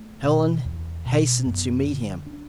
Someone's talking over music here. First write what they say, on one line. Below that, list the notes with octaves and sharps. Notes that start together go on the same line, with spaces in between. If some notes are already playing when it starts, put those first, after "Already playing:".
Helen hastened to meet him.
Already playing: A3
B2
E2
B2
F#2 B3
D3
D4